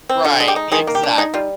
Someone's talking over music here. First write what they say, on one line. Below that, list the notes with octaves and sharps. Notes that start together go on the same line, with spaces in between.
Right, exact
C4
D3 F4
G#3
G4
D#4
D#3 G#3 G#4
A#3
G4
D4
G#3 D#4 G#4
G3 F4